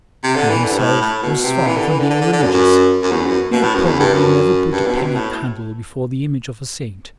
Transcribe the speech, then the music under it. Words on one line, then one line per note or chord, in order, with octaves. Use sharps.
He himself was far from being religious; he had probably never put a penny candle before the image of a saint.
C3
D3
E3
D3
G2
A2
A2
B2
C3
E3
D3
E3
D3
D3
D3
D3
F#2
F#2
F#2
E2
F#2
B2
A2
F#2
E2
G2
F#2
G2
B2
C3
B2
A2